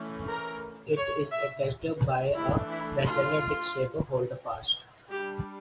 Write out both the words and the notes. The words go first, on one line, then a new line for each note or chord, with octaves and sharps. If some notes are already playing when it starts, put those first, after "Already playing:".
It is attached by a basal disc-shaped holdfast.
Already playing: E3 A3 C#4
A#4
C#5
E5
E3 A3 D4 E4
E4
F4
G3 D4 G4